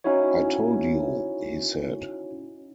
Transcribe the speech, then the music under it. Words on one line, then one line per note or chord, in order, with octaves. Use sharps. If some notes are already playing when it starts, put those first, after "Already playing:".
"I told you," he said.
C#4 D#4 E4 F#4 C#5